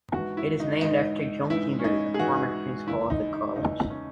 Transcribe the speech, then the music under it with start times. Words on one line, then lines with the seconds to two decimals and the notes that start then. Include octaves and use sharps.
It is named after John Kinder, a former principal of the college.
0.14 G#2 E3 F#4
0.37 E4
0.60 D#4
0.82 G#2 E3 D#4
1.50 G#2 E3 E4
1.79 C#4
1.84 D#4
2.14 G#4
2.19 G#2 E3 F#4
2.87 E2 C#3 E3 E4
3.10 D#4
3.33 D#4
3.56 E2 C#3 E3 D#4
3.90 C#4